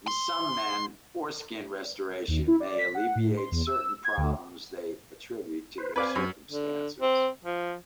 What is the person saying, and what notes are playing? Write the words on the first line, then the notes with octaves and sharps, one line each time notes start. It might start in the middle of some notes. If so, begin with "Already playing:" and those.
In some men, foreskin restoration may alleviate certain problems they attribute to their circumcisions.
C6
D#2
E4
D5
B6
F#5
A2
C6
E2
E6
G#6
D2
B4 C5
C4 B4 D5 F5 G#5
F#2
D3
C4
F3